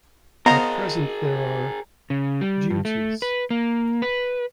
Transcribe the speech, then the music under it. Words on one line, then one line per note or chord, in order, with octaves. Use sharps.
At present there are — duties.
B3 G#4 A#4 C5 D#5 F5 A#5
C#3
G3
G2
A3
B4
A#3
B4